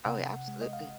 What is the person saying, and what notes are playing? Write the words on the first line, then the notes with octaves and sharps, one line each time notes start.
Oh, yeah, absolutely.
C3 F#5
G#3
D#5
F5